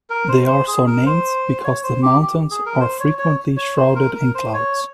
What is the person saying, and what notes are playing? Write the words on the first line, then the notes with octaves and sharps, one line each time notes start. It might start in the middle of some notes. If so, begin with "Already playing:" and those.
They are so named because the mountains are frequently shrouded in clouds.
A#4
C5
C5
G#4
A#4
C5
C#5
C5
G4
G4
G#4
A#4
C5
C#5
C#5
C#5
C5
A#4
A#4
C5
C#5